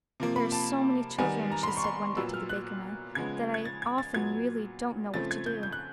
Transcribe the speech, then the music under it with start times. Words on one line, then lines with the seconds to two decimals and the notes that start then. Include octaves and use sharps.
"There are so many children," she said one day to the baker-man, "that I often really do n't know what to do!"
0.20 C3 F3 A#3
0.36 B5
0.52 A5
1.18 D#3 G3 B3 G#5
1.52 A#5
1.63 C6
1.68 B5
1.77 C#6
1.84 C6
2.17 A#2 F#3 B3 E6
2.34 F6
2.49 F#6
3.15 C#3 F3 G#3 B3 G#6
3.54 G#6
3.65 A6
3.82 G#6
3.98 A6
4.14 A#2 F#3 B3 G#6
5.14 C#3 F3 A3 C4 A6
5.31 G#6
5.46 G6
5.63 G6
5.72 F#6